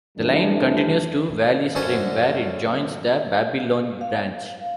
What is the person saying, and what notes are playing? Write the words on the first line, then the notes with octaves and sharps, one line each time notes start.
The line continues to Valley Stream where it joins the Babylon Branch.
F2 E3 G3 A3 D4
F#2 D3 C#4 C5 G#5 A5
F5